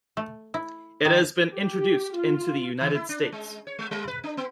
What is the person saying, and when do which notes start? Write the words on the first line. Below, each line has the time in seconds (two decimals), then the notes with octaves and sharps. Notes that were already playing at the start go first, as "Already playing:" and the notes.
It has been introduced into the United States.
0.17 A3
0.54 E4
1.05 D#3
1.55 G4
2.15 F4
2.81 D#3
2.94 E4
3.09 D4
3.32 G#3
3.67 C#5
3.79 G#3
3.91 G3
4.08 B4
4.24 D4
4.37 B3